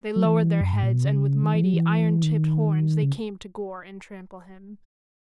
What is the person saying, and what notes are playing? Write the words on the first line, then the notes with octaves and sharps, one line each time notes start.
They lowered their heads, and with mighty, iron-tipped horns they came to gore and trample him.
F#3
E3
F#2
G#2
A#2
B2
C#3
D#3
E3
F#3
E3
D#3
C#3